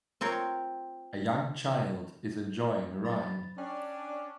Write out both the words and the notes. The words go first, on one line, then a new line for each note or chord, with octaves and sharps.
A young child is enjoying a ride.
C4 F4 A#4 C#5
F#3 B5 A6
C#4 D4 G5